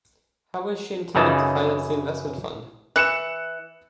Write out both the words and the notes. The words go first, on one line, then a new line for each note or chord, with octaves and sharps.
How is she intending to finance the investment fund?
F#2 C#3 E3 D#4 A5
E3 F#6 C#7 E7